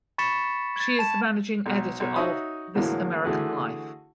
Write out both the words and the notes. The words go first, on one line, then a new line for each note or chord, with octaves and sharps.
She is the managing editor of "This American Life".
B5 C#6 A6 B6 C#7 E7
G#6 A6
A5 E7
B1
B1
D#4 F#4 C#5 E5 C#6 D#6
A2 D3 E3 F#3 G#3 A#3
D3 E3 A3 F#4 G#4